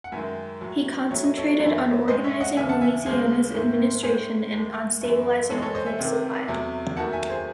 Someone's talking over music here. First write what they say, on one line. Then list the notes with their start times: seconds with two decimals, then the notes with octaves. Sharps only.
He concentrated on organizing Louisiana's administration and on stabilizing the food supply.
0.04 F#5
0.12 F#2 D#3 G#3 E5 G#5
0.61 A2 F#3 A3
1.10 A2 F#3 A3 C#5
1.24 D#5
1.37 A4 C#5
1.60 F#2 E3 A3
2.08 A2 G#3 C5 D#5
2.24 C#5 E5
2.40 D#5 F#5
2.57 D#2 C#3 E3 E5 G#5
2.69 F#5 A5
2.81 E5 G#5
3.06 D#2 C#3 G#3 G#4 C5
3.54 G#2 D#3 A3
4.03 A2 G#3 G#4 C5
4.52 D#2 D#3 G#3
5.01 F#2 E3 A3
5.50 A2 E3 G#3 A4 C#5
5.58 D#5
5.62 A4 C#5
5.75 C5 D#5
5.86 E5 G#5
5.99 C#2 C3 D#3
6.48 E2 C3 F#3 A3
6.97 D#2 D#3 F#3 A3 F#5 A5
7.12 E5 G#5
7.30 G#4 C5